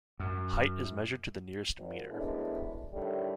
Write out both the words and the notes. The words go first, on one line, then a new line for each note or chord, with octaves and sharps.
Height is measured to the nearest metre.
F#2
G#1
F#2 A2 G#3 B3 D4 E4
A2 D3 D#3 G3